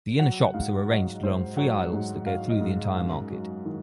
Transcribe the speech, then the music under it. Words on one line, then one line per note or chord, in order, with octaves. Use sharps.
The inner shops are arranged along three aisles that go through the entire market.
F#3 F#5
G#2 F5
F#3 D#5
G#2 C5
F#3 F#5
G#2
F#3 F5
D#5
G#2
F#2 F5
F#3
D#3